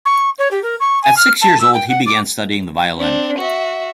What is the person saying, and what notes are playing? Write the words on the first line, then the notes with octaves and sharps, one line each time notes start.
At six years old, he began studying the violin.
C#6
C#5
G4
A#4
C#6
G#5
F6
A5
E6
G5
F#5
D6
C4 D4
F#4 E5